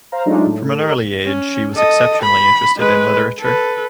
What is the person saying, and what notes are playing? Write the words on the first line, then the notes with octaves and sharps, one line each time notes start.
From an early age she was exceptionally interested in literature.
C5 F5 A#5
F#3 G#3 A3 D4 D#4 F4
A2
A3 A4
G4 A#4 D#5
C#4
A4 D#5
B5
G#3 B4
A4 B4